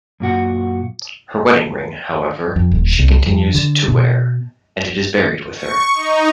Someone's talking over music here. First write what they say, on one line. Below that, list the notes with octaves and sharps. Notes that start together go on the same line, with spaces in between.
Her wedding ring, however, she continues to wear, and it is buried with her.
F#2 A#2 F#4 F#5
F2
D#1
C2
F2
D3
B2
C#6
D#4